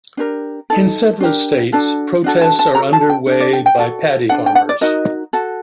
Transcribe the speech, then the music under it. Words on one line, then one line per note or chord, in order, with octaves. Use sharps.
In several states, protests are underway by paddy farmers.
D4 G4 A#4
D#4 A4
D4 G4 A#4
D4 F#4 A4
D4 F#4 A4
A5
A5
F#4 A4 A#5
A5
G5
D4 A4
D5
G5
G5
F#4 A4
D4 A4 F#5
G5
F#5
D5
D#4 F#4 A#4 D#5
F#4 A4